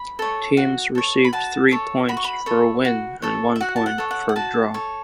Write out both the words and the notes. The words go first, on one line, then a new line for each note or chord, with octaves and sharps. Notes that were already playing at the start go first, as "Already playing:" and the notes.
Teams received three points for a win and one point for a draw.
Already playing: B5
A4 C#5
F#4
A4 C#5
B5
F#4 A5
A4 C#5
F#4 B5
C#6
B5
A4 C#5
F#4
A4 C#5
E5
F#4 F#5
A5
F#5
A4 C#5
F#5
F#5
F#4 A5
A4 C#5